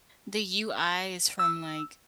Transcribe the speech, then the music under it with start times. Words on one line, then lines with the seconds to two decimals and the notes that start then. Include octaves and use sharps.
the UI is from, like,
1.39 E6